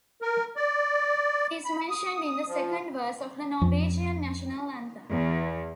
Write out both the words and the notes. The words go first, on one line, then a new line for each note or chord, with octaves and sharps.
He is mentioned in the second verse of the Norwegian national anthem.
A#4
D5
B5
D#6
F3
F2
E2